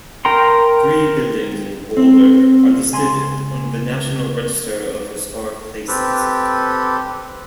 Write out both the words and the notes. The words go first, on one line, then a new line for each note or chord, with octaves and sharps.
Three buildings in Boulder are listed on the National Register of Historic Places.
A#4 G5 A#5 C6
C4
C#2 G#5 C6
C4 G4 A4 B4